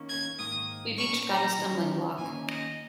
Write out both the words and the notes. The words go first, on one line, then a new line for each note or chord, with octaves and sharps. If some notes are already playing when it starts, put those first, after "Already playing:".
We’ve each got a stumbling block.
Already playing: D#3 A#3 C#4
G#6
G#2 D#3 A#3 D#6
A#2 A#3 C#4 C#6
A#5
D#3 C#4
D#3 A#3 C#4 G#5
D#5